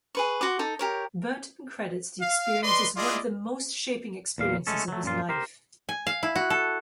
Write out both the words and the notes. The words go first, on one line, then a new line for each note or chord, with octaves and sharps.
Burton credits the experience as one of the most shaping experiences of his life.
G#4 B4 C#6
F#4 C6 D6
D#4 A4
G4 A#4 C#5
F5
B4 D5 D#5 C6
E4 F4 G#4 D5 D#5
E2 A#2 F5
G#3 A3 C#4 A4
F#3 A3
F#2 A#2 F4
G4 A#4 C5
G#5
F5
E4
F#4
A4